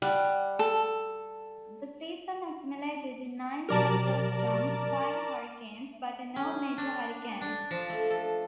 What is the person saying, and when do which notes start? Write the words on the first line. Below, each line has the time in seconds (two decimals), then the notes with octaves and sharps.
The season accumulated nine tropical storms, five hurricanes, but no major hurricanes.
0.02 G3 F#5
0.59 A4
3.69 B2 F#3 G4 A#4 D5 A5
6.36 C#4
6.78 D4
7.41 D4
7.71 F3
7.90 A3
8.10 A4